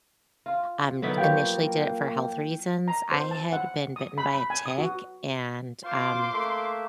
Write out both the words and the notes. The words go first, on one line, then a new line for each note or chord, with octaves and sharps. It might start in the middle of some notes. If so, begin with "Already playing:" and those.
um, initially did it for health reasons. I had been bitten by a tick and, um,
F4
D3 D#3 F#3 B3 E5
F3 A#3 G4 C#5 G5
A#5
C5
A5
F#5
D#6
B5
B5
G#5
D#6
F#4
F4 C5 C6 D6
A3 A#3 E5